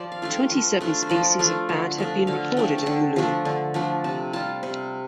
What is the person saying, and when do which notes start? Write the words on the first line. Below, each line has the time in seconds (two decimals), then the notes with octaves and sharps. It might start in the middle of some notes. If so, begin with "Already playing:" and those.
Twenty seven species of bat have been recorded in Mulu.
Already playing: F3 C5 D5
0.12 F5
0.22 A3 D4 F4 F5
0.31 G5
0.51 F3
0.81 A3 D4 F4
1.02 C5
1.09 F3 D5
1.39 A3 D4 F4
1.69 D3
1.98 F3 A3 D4
2.27 D3 F5
2.57 F3 A3 D4 G5
2.78 A5
2.86 D3 G5
3.16 F3 A3 D4
3.45 D3
3.74 F3 A3 D4
4.04 C3 A5
4.33 G3 F4 A5
4.63 C3